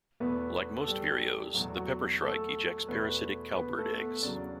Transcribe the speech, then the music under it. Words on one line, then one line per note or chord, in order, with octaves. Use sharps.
Like most vireos, the peppershrike ejects parasitic cowbird eggs.
E2 B2 A3 B3 B4
A4
G3 G4
E2 B2 F#3 A3 F#4
F#3 F#4
A3 A4
E2 B2 A3 B3 B4
B3 B4
A3 A4
B3 B4
E2 C#3 F#3 D4 D5